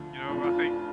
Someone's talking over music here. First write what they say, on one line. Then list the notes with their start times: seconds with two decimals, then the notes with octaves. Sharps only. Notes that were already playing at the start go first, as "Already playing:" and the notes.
You know, I think
Already playing: D2 D3 F3
0.28 F1 F2 F3 D4
0.44 F4
0.57 D4